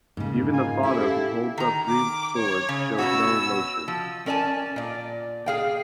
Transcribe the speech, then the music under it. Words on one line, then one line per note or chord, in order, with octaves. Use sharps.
Even the father, who holds up three swords, shows no emotion.
G#2 C#3 A#3
F4 A#4 F5 G#5
C#4 E4 G4 A4
D#3 A#5
D6
C#5
C#3
B2 C#4 F#4 E6
F3
C#4 A#4 D5 G#5 A5
A#2 D5
G#4 F5 G5